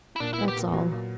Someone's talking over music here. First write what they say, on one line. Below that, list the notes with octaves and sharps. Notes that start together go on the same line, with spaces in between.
That's all.
E4
A#2 D4
B3 E4
G4
A#2
F#3
A#2